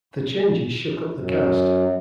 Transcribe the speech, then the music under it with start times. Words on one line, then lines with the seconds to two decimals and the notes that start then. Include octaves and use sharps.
The changes shook up the cast.
1.13 F#2